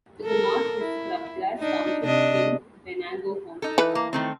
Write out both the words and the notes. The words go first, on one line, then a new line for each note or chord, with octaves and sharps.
To the north is Scrubgrass Township in Venango County.
A4 A#4
E4
D4 D#4
C3 D4 D#5
D#4 A4
E3 B4
A#3
D#3 A3 C4